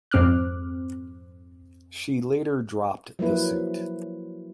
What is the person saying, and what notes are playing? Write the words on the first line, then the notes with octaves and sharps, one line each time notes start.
She later dropped the suit.
F2 G#2 C4 D6 F6 F#6
F3 F#3 A#3 E4 B4